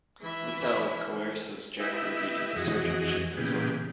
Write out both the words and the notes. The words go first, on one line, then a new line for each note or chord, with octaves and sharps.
Littell coerces Jack Ruby into searching Schiffrin's home.
E3 E5
E4 G4 B4 D#5 E5
F2 E3 F#4 G#4 D#5
A#2 C#3 E3 B3 G4 G#4